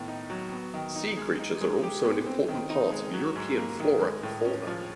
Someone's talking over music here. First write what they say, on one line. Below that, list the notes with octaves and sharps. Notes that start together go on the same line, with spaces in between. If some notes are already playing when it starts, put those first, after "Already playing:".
Sea creatures are also an important part of European flora and fauna.
Already playing: A2 D#3 B3
D#4
F#3
B3
D#3
D#4
G#3
D#4
G#3
G4
B3
C4
D#3
D#4
G#3
F#3
G#2
A#3
D#3
G#3
A2
C#4
F3